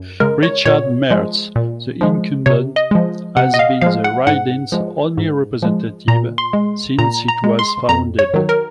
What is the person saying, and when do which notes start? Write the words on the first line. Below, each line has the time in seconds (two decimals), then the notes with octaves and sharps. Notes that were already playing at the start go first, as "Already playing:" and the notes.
Richard Marz, the incumbent, has been the riding's only representative since it was founded.
Already playing: F#2
0.20 C#3 G#3 A#4
0.43 C#5
0.66 A#2 C#5
1.11 F3 G#3
1.56 A#2
2.01 F3 G#3
2.46 C3 C#5
2.76 D#5
2.91 F3 G#3
3.37 C3 F#5
3.54 D#5
3.59 F5
3.82 F3 G#3 F5
4.04 F#5
4.27 G#2 F#5
4.72 F3 G#3
5.17 G#2
5.62 F3 G#3
6.08 A#2 A#5
6.38 C6
6.53 G#3
6.99 A#2 A#5
7.28 A#5
7.44 G#3
7.59 C6
7.89 F2 A#5
8.19 C#5
8.34 D#3 F#3
8.49 A#4